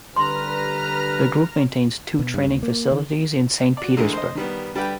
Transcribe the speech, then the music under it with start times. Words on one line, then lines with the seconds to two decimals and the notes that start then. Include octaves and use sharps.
The group maintains two training facilities in Saint Petersburg.
0.16 D3 G3 B4 A#5 C6 F6
2.19 B2
2.34 G2
2.47 D2
2.63 A#3
2.92 D#3
3.77 F#4 D5
3.97 D3 E3 G#3 A3 A#4
4.12 C5 D#5
4.35 D#3 G3 B3
4.74 D3 G3 G4 B4 G5